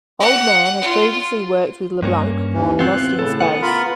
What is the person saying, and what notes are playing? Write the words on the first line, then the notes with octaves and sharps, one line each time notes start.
Oldman had previously worked with LeBlanc on "Lost in Space".
F#5
F4
G2 A#3 C#4
D#2 E3
B3 C4 F4 F#6
A2 C#3 A4
B3 F#5
F4 A#4 B5